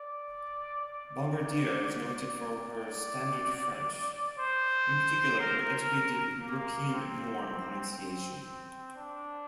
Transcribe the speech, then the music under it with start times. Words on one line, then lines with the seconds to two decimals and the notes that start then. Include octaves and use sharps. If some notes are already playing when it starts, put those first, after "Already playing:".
Bombardier is noted for her standard French, in particular her educated, European-norm pronunciation.
Already playing: D5
0.80 D5
1.83 D5
2.33 D5
4.38 C5
5.40 A#4
6.42 A#3
6.93 C4
7.95 C4
8.96 D4